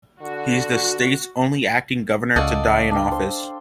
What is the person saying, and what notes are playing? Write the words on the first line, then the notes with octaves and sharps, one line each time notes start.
He is the state's only acting governor to die in office.
D3 F#4
C#2 A4 D5 D#5 F5 F#5 C#6
D4 G5
C5